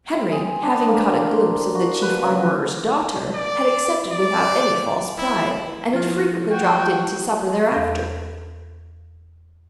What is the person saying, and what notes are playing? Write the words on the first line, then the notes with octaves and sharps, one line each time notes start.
Henry, having caught a glimpse of the Chief Armourer's daughter, had accepted without any false pride, and had frequently dropped in to supper thereafter.
C4
G#4
D4
A#3
C6
F#4
B4
C#3
D5
D5
E4
F3 E4 F4 F6
F#4 G5
E2 A4 A#6